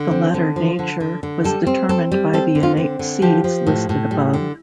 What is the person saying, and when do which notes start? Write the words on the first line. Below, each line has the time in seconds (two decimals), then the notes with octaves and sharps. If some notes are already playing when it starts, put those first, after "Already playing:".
The latter nature was determined by the innate seeds listed above.
Already playing: D3
0.11 C4
0.34 D3
0.56 F3
0.79 D3
1.00 D3
1.23 D3
1.44 G3 A4
1.67 C4
1.89 C4 A4
2.12 G3
2.33 C4 A4
2.55 D3
2.63 F4
2.77 C4
2.99 D3
3.22 F3 G4
3.44 F3
3.67 A2
3.89 A2
4.11 G3
4.33 D3